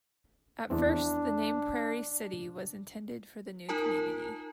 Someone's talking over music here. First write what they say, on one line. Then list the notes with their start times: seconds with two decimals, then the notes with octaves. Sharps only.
At first the name Prairie City was intended for the new community.
0.70 E2 E3 C4 D4
3.69 D#4 F4 A#4 A5